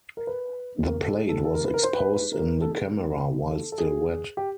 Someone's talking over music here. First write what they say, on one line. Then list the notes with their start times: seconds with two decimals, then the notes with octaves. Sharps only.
The plate was exposed in the camera while still wet.
0.17 A#4
0.27 B4
0.85 A#4
1.01 A4
1.15 G#4
1.29 A4
1.45 A4
1.55 A#4
1.64 B4
1.74 A#4
1.83 C5
1.93 B4
2.33 A#4
2.62 A4
2.71 G#4
3.50 A4
3.72 A4
3.78 G#4
4.37 G4